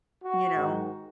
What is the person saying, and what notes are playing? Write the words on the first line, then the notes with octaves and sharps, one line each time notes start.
You know?
F#4
G#2 D#3